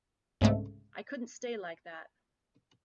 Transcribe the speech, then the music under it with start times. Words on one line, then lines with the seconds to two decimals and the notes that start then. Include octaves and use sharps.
I couldn't stay like that.
0.41 C2 G#2 C#3 G#3 A3